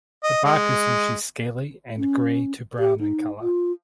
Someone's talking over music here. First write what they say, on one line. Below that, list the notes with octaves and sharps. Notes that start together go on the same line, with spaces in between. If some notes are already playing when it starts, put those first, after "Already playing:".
The bark is usually scaly and grey to brown in colour.
D#5
G#3
C#4
G4
D#4
F4